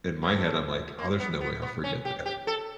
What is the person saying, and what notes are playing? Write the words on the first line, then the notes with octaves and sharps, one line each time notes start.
in my head, I'm like, "Oh, there's no way I'll forget that,"
A#3
A3
A#3
B3
B3
B3
C#4
G4
G4
A4